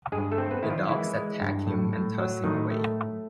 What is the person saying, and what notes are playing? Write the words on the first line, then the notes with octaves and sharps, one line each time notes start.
The dogs attack him and toss him away.
G2 G#3 G#4
A3 A4
C4
B3 B4
D#3 E4
F3 F4
E3 G#3 E4
G#3
G2
A2
A2
F#3
A2 D#3 D#4
A3